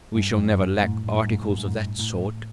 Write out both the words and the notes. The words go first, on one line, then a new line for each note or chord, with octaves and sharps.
"We shall never lack articles of that sort."
G2
F#2
G2
A2
G2
A2
G2
A2
G2
A2
G2
A2
G2
A2